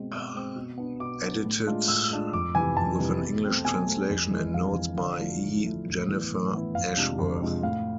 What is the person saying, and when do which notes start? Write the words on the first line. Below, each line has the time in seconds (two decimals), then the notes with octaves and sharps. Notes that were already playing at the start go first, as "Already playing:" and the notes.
Edited with an English translation and notes by E. Jennifer Ashworth.
Already playing: B2 G#3 C4
0.12 B2
0.34 G#3 C4
0.55 B2
0.78 B3 D4
1.00 B2 D6
1.23 B3 D4
1.45 A2
1.67 G#3 D4 F4
1.88 A2 E6
2.11 G#3 D4 F4
2.33 F2 D6
2.55 C3 E3 G#5
2.77 F2 A5
2.99 C3 E3
3.21 B2
3.44 A3 C4
3.65 B2 G#5
3.87 A3 C4
4.09 F2
4.31 E3 G#3
4.54 F2 F5
4.75 E3 G#3
4.98 D3 F5
5.20 F3 A3 E4
5.42 D3
5.64 F3 A3 E4
5.86 A2
6.08 E3 B3 E4
6.31 A2
6.53 E3 B3 E4
6.74 F2 F5
6.97 C3 G#3 D4 F4
7.18 F2
7.41 C3 G#3 D4 F4
7.63 A2 F5